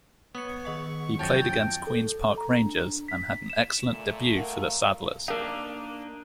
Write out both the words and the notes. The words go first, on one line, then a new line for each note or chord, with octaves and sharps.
He played against Queens Park Rangers and had an excellent debut for the Saddlers.
B3 C#5 D#6 C#7
D#3 D#5 F#5 C#6
F#2 F3 C#5 G5 A5 A6 A#6
A4
A#5
D4
B6
E7
A#2 A3
A#4 F5 F#5 A#5
A#3 D4 D#4 A#4 F5